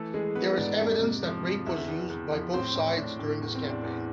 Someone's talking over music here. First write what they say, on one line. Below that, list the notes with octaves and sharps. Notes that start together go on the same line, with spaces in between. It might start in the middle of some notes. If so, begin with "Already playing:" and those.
There is evidence that rape was used by both sides during this campaign.
Already playing: E3 A3 A4
E3 G#3 G#4
E3 B3 B4
G#2 D4 D5
F2
C3
F3
F2
E2 E4 E5
E2
E2
F3
A2 C4 C5
A2 D4
A2 D4
A2
E2
C4
E2
D4
E2